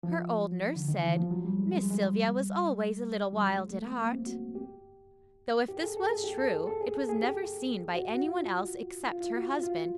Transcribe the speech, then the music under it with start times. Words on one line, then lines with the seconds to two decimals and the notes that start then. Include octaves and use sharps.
Her old nurse said: "Miss Silvia was always a little wild at heart," though if this was true it was never seen by anyone else except her husband.
0.03 F3
0.76 D3
0.88 D#3
1.03 E3
1.16 F3
1.31 F#3
1.45 G3
1.59 G#3
1.72 G#3
1.81 G3
1.90 G#3
2.01 G3
3.33 G3
3.41 F#3
3.56 G#3
3.70 A3
3.85 A#3
3.98 A#3
4.13 C4
4.26 F#4
4.55 G4
5.69 G4
5.77 A4
5.83 G#4
5.97 A4
6.10 G#4
6.24 G4
6.38 A4
6.53 G#4
6.67 A4
6.81 G#4
6.95 A4
7.09 G#4
7.23 G4
7.95 F#4
8.15 F#4
8.23 F4
9.07 F4
9.21 F4
9.36 F#4
9.50 F4
9.63 F4